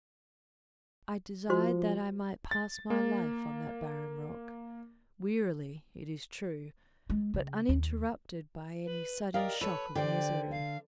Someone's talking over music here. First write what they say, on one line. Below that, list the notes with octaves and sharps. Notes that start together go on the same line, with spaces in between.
I desired that I might pass my life on that barren rock, wearily, it is true, but uninterrupted by any sudden shock of misery.
F3 F#4 C5 C6
A6
A#3
G#3
C#3
D#2
B4
G4 A#4 D5 D#5 F5
A4 B4 C#5
D3 G4 C5 D5 G5
F5